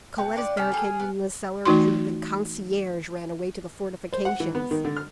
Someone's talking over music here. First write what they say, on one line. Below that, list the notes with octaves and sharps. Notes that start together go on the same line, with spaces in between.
Colette is barricaded in the cellar, and the concierge ran away to the fortifications.
B2 G5
D4 F4 D5
C3 C#4 D4 G#5 F6
G3 G#4 A4
G#4
B3
E3 A3 D#4 F#4 C6
C5
F#5
E3
B3
D#3
D3
F6